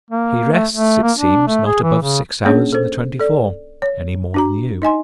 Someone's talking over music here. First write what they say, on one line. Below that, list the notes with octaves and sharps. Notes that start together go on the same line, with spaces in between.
He rests it seems not above six hours in the twenty-four--any more than you.
A#3
A3
A3
A#3
D4
A3
G#4
E3
C#3
A#3 C#4 D4 G#4 C#5
A4 C5
A4 D5
C#5
D4 F#4 A#5
D#4 D#5 G#5 C6